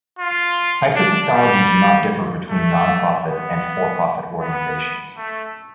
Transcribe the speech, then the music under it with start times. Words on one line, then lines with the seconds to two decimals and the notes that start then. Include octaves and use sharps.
Types of technology do not differ between nonprofit and for profit organizations.
0.19 F4
0.95 D4
1.34 G3
2.49 A3
3.25 B3
4.40 B3
5.17 A3